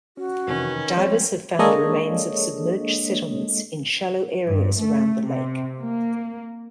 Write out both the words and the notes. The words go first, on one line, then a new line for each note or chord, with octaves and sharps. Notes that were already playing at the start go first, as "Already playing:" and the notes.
Divers have found the remains of submerged settlements in shallow areas around the lake.
C#4 F#4
F2 C3 D#3 E3 C#4 B4
F3 G3 G#3 C4 C#5
G#3 A#3 D4 A4 C#5 D#5
G2
A3
C3
A#3